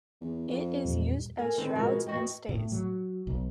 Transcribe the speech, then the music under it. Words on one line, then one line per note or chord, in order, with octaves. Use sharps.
It is used as shrouds and stays.
E2
F2
E2 A#2 G3
A4 A#4 G#5
D3 D#3 C4 D#4 A4 B4
B2 F3 G#3 F#4 A#4
E2 F#4 D#5 G5
A2
F#3
B1